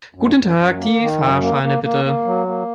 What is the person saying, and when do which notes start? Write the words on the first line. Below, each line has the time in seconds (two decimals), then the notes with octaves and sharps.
Guten Tag, die Fahrscheine bitte.
0.15 F#2
0.36 F#2
0.57 F#2
0.78 A#3
0.99 D#3
1.21 F#2
1.41 A#3
1.63 A#3
1.84 A#3
2.05 A#3
2.25 F#3
2.47 A#3